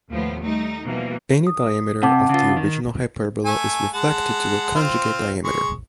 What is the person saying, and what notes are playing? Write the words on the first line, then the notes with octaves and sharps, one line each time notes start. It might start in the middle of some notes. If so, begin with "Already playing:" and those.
Any diameter of the original hyperbola is reflected to a conjugate diameter.
D#2 A2 F3 B3
G3 A3 D#4
B2 E3 F3 G3 A#3
D#6
C3 F#5 A5 D6
C#3 F4
D#3
A3 G#5
G#3 F#5 A5
C4 F4
G#3 C#6